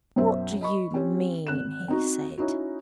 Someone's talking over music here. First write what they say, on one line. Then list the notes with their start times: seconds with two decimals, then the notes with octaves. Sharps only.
'What do you mean?' he said.
0.16 B1 F#2 C5 E5
0.61 D#5 B5 C#6
0.94 C4 C#4 G4 C#5
1.47 G#1 F#6 E7
1.88 C4 D#4 F#4
2.38 C#4 D#4 E4 F#4